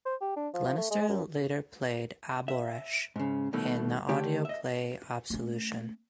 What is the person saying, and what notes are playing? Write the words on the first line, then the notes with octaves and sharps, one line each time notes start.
Glenister later played Aboresh in the audio play "Absolution".
C5
G4
D4
F3
A3
G#3
F#2
E5
G#2 C#3
C2 B2 D#3 A3
D3 A3 G4 C#5
D#5 E5
A3 C#4